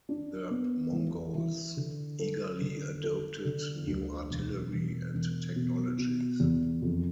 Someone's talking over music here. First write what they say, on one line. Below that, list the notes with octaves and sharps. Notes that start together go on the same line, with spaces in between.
The Mongols eagerly adopted new artillery and technologies.
D4
B3
E3
E3
D3
A4
D3
A4
D3
D2
E1
E1
E1
B2
B2
E2
F2